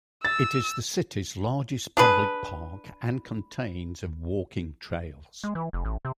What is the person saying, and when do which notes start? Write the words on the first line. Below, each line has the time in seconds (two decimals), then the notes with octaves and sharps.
It is the city's largest public park and contains of walking trails.
0.25 E6 A6
1.97 D4 G#4 B4
5.44 G#3
5.55 E3
5.73 F1
5.85 A1
6.05 C3